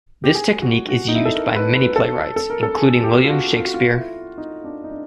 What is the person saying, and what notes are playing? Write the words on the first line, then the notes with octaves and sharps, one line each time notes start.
This technique is used by many playwrights, including William Shakespeare.
G4
G#4
F#4
F#4
D#4
E4
A4
A#4
B4
B4
A4
A4
A#4
A4
G#4
G4
F4
F#4
F4
F#4
F4
E4
D#4
D4
D#4
D4